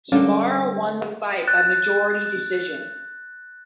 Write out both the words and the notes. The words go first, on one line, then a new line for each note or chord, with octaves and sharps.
Tsumura won the fight by majority decision.
D3 G3 C#4 A#4 F5 G5
F#6 A6